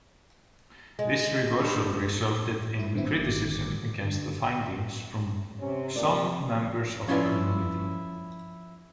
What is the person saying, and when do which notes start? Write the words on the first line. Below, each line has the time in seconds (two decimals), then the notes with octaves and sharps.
This reversal resulted in criticism against the findings from some members of the community.
0.99 G#3
1.63 G2 C5
2.79 E4
2.94 G2 D3 B3 C4 E4
3.11 G1 D3 D#3 A#3 D6 G#6
4.02 D3
5.60 C3 C#4
5.96 A#2 D5
7.07 F3 C#4 E4 F4 B4 D5